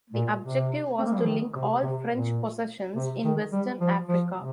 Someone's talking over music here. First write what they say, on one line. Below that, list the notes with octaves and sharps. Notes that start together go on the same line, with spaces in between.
The objective was to link all French possessions in Western Africa.
A#2
C3
C4
A#3
G3
F3
D#3
C3
C3
A#2
C3
D#3
G3
F3
F3
C3